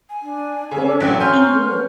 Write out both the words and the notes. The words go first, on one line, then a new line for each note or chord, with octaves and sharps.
or Teen Wolf.
G#5
D4
C#3 A4
A1 F#3 A4 G5 F#6 B6
C#4 C#5 G#5 A#5 C6 F6 G6
B4